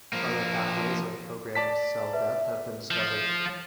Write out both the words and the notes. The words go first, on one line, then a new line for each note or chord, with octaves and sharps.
Other pathways of programmed cell death have been discovered.
F3 A#3
D5 A5 B6
B4 E5
F3